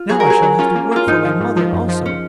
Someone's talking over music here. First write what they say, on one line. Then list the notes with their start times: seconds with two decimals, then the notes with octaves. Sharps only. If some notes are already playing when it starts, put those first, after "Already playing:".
Now I shall have to work for my mother also.
Already playing: F4
0.09 F#3 G#4
0.20 A#4
0.26 F#3 G#4
0.42 F#3
0.59 C#4 F4
0.75 A#3
0.91 A#3 F4
1.07 G#2 D#4
1.24 F3
1.40 G#2
1.56 F3
1.73 F#2
1.88 F3
2.06 C#4